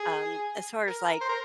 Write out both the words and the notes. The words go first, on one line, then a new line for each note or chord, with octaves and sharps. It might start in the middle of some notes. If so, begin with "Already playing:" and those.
Um, as far as, like
Already playing: G#4
A#4
C5
A#4